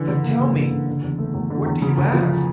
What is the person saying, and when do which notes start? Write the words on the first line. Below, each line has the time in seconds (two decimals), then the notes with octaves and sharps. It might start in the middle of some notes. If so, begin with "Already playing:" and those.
"But, tell me, what do you ask?"
Already playing: D3 E3
0.08 C#3
0.24 A#3
0.40 C#3
0.56 E3
0.72 C#3
0.87 D3
1.03 E2
1.18 A3
1.34 E2
1.50 D3
1.66 E2
1.82 C#3
1.97 D2
2.14 F3